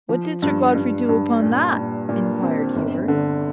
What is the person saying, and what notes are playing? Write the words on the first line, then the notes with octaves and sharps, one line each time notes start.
"What did Sir Godfrey do upon that?" inquired Hubert.
F3
G2
G2
G2
A#2
A#2
A#2
C4
G1
D3